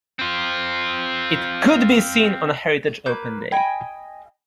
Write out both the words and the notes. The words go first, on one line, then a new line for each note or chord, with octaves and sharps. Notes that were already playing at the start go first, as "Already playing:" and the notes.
It could be seen on a Heritage Open Day.
C4 F4
A#3 B4 G6
D#5 G5 G#5 B5